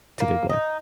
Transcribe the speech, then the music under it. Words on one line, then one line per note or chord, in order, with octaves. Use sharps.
to their death.
A#3
D#4